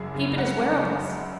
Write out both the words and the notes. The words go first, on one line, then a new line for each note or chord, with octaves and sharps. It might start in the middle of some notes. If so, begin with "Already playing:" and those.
Peep at his wearables.
Already playing: F#1 F#2 F#3 E4 G#4
C#3
F#2 F#5
C#3
F#2
F#2